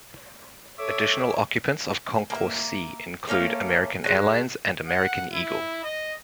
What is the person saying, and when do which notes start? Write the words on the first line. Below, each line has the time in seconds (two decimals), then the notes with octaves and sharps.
Additional occupants of Concourse C include American Airlines and American Eagle.
0.79 A4 C#5 E5 D6
2.30 A#3 E5
3.27 A3 A#3 C#4 F5
4.04 G#3 F#4
4.89 F#5
5.33 E4
5.84 D#5